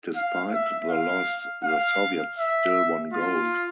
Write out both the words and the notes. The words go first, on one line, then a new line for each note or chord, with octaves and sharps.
Despite the loss, the Soviets still won gold.
F5
E5
F5
F5
E5
F4